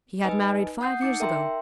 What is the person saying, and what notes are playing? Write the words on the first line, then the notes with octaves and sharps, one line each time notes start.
He had married five years ago.
D#4 B4 D#5 G#5
F#5 D#6 G6 C7
D#4 D6 C#7
A#4 E5 G5 A#5 C6